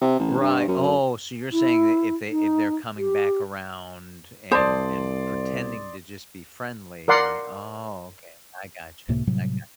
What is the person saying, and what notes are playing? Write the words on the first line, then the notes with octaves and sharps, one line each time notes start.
Right. Oh, so you're saying that if they if they're coming back around and and pretending to just be friendly oh, okay. I gotcha, I gotcha.
C3
A1
G2
F#2
E4
D#4
G4
C2 C5 D5 A5 C6 D#6
A#4 D5 F#5 C6
C#2 A2 C3 A#3
A2 C3 F#3 G3